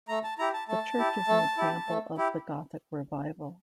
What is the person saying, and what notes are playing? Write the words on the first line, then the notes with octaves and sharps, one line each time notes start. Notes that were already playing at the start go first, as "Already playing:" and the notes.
The church is an example of the Gothic revival.
A3 A#5
A5
E4 G4 A#5
A5
A3 A5
E4 G4
A3
E4 G4
A3
E4 G4